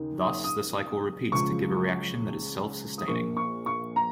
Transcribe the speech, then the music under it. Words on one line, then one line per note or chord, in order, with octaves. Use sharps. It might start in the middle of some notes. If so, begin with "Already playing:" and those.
Thus, the cycle repeats to give a reaction that is self-sustaining.
Already playing: D#2 C#3 A#3 D#4
D#6
D#6
C#2 C#3 F3 C#4 C#6
D#6
A#1 A#2 A#3 C#6
C#6
C#6
A#5